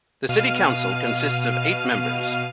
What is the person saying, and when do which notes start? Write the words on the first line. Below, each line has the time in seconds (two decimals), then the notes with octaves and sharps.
The city council consists of eight members.
0.29 B2 F5 F6 D#7